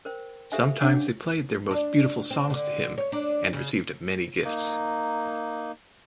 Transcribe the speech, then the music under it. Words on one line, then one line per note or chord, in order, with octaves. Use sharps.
Sometimes they played their most beautiful songs to him and received many gifts.
A#4 C5 G5
G4 A4 C5 E5 F5 G#5
C#4 D4 C#5 F#5 D6
D4
C4
D3
C#5
D4
C#3
A#3 D#4